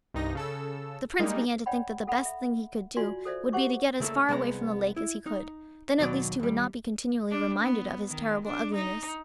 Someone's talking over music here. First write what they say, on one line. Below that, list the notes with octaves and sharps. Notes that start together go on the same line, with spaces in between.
The Prince began to think that the best thing he could do would be to get as far away from the lake as he could, then at least he would not be continually reminded of his terrible ugliness.
C2 G2 D#4 A#6
C#3 A4 E6
G3 G#3 A#3 D#4
C#5 D5 F#5 G5 B5
A4 F#5 B5
E5
F4 F#4 D5 G#5 C6
A4 C5 D5 E5
G4 C5 F#5 C#6 D6
C#3 A3 A#3 A4
C2 G#3 B3 D#5 A#5
E4
D#4
D#2 B2 F#3 D5
D#2 G3
D4
B3
D#3
D4
D#4